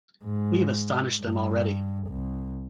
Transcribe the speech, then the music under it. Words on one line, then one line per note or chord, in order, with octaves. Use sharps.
We have astonished them already.
G#2
G2
C2